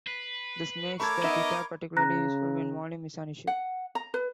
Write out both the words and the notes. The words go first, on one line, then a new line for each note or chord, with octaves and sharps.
This makes the guitar particularly useful when volume is an issue.
B4 C7
A3 A4 A#4 C#5 B5 D6 G#6
B3 D#4 D#5 E5
C#3 A#5 F#6 A#6
F#5
A#5
B4